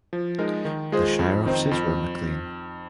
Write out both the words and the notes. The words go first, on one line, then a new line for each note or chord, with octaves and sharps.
The shire offices were in Maclean.
F3
G#3 D#4 A#4
D#3
G#3 F4 G#4 C5
F2
D#3 C4 D#4 C5
F2